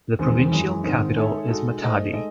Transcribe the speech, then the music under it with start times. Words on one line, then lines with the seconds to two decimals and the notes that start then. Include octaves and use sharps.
The provincial capital is Matadi.
0.19 E2 D#3 G#3 C4
0.52 F#2 E3 G#3
0.84 G#2 D#3 G#3 C4 D#4
1.16 G#3 D#4 A4 C#5 E5
1.48 G#3 D#4 F#4 A4
1.81 A3 D#4 G#4 C5 D#5
2.13 G#3 D#4 A4 D#5